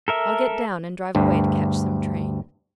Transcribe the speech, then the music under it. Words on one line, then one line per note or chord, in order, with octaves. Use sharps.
I'll get down and drive away to catch some train.
A4 A#4 E5
D2 G2